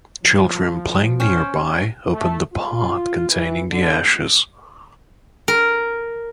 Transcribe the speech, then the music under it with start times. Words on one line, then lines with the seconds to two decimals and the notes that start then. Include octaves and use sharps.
Children playing nearby opened the pot containing the ashes.
0.23 F3
1.20 C#4 C5 G5
2.11 A3
2.53 F4
3.30 E3
3.70 D3
5.48 A#4